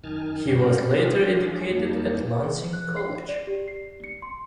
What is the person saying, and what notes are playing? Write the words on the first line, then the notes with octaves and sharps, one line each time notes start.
He was later educated at Lancing College.
F#2 D#3 D#4 G#5 A5 F6
G2 C#4 F#4 D5 G5 A#5
G#3 C#4 D4 F4 G4 G#4
F2 G3 A#3 D#4 A5
G#4
F#6
C7
D5
G4
C7
C#7
C6